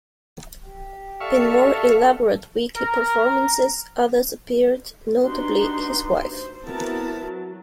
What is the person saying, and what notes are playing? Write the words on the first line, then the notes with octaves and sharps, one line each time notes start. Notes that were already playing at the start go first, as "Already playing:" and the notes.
In more elaborate weekly performances others appeared, notably his wife.
G4
A4 D5 E5 F5 A5 C#6
A#4 A#5
D4 D#4 F#4 G4 B4 C6
C5
B3 C4 E4 F#4 A#4 A5
F#3